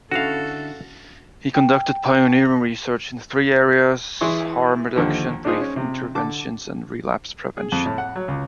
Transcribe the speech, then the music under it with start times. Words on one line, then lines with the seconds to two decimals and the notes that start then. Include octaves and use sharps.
He conducted pioneering research in three areas: harm reduction, brief interventions, and relapse prevention.
0.11 D3 C#4 E4 F#4 A4 F5
1.55 G5
4.21 E3 E4 G#4 C6 C#6
4.96 D#2 D3 F3
5.45 D4 D#4 F4 G#4 C5
5.61 C#4
5.76 C3
6.15 D3 A5 D6
7.57 G#4
7.72 F2
7.86 A2
7.98 F#5
8.16 F#3
8.28 C#2